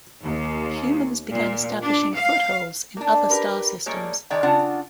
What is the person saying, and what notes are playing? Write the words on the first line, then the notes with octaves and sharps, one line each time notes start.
Humans began establishing footholds in other star systems.
D#2
A#2
D4
F5
A#3 D4
G4 A#4 B4
A2 G3 G#3 A#3 C#5
D#3 G#3 D5 G5 A#5
C#3 D4 F4 F#5